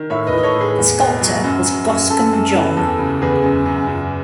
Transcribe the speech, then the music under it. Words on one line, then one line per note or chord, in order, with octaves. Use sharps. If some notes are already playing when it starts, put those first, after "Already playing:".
The sculptor was Goscombe John.
Already playing: D#3
A2 C#5 E5
B4 D#5
E3
D#5
A4 C#5
A2
G#4 B4
E2
B2
F#3
F#2
F#2
F#2
F#2 A4
F#2
A4
E3
E2 A4
C#3
E2 G#4 B4
F#2
F#2
F#2